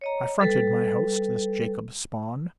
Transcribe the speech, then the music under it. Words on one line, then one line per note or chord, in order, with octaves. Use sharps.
I fronted my host, this Jacob Spawn.
C#5 D#5 A#5
G3 A4 B4